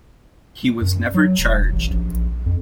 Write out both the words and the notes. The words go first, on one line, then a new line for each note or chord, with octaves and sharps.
He was never charged.
F#2
F#3
E1
A1
A#1
F2